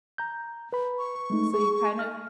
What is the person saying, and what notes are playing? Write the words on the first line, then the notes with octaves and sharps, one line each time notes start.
So you kind of
A#5 G6
B4 B5
C#6
G#3 A3 D#4
G#4
F6